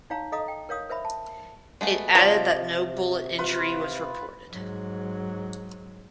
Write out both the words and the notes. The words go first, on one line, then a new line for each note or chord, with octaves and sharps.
It added that no bullet injury was reported.
D#4 C#5 F5 A#5
A4 D#5 F5 A#5 D#6
G5
A#4 C#5 F5 D#6
A#4 C5 E5 B5
A5
G#3 A3 B3
C3 F3 G4 C#5 D5
F4 B4
G#2 F#3